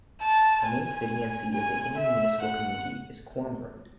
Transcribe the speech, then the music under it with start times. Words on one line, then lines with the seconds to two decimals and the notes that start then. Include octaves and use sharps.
The main city and seat of the intermunicipal community is Coimbra.
0.21 A5
0.65 G#5
1.53 G#5
1.97 E5
2.41 F#5